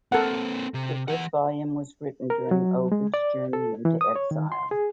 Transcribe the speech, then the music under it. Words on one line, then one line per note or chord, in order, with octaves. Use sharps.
The first volume was written during Ovid's journey into exile.
A#3 C4 A4 A#4 F#5
C3
E3 F#5
A#4
F#3
G#3
D5
A4
E3
D#6
C#5
D#3
C6
G#4